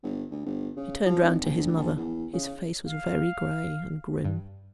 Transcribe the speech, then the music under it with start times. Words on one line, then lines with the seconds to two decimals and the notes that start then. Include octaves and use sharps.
He turned round to his mother; his face was very gray and grim.
0.03 G1
0.31 D2
0.46 G1
0.76 C#3
1.06 F3
1.22 G#1
1.43 A#1
1.59 D2
1.77 A#1
1.97 E2
2.33 C#3
2.86 F5
4.25 G2